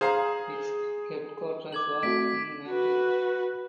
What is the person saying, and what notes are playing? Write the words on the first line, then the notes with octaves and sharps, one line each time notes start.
Its headquarters was in Madrid.
G#4 C5 F5 A#5
D6 G#6 F#7
A3 C4 F#4 B6 D7
F#4 B4